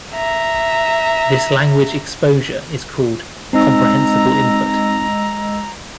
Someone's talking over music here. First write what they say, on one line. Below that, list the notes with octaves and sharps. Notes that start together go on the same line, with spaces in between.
This language exposure is called comprehensible input.
E5 A#5
G#3 C4 D#4 D#5 A#5 E6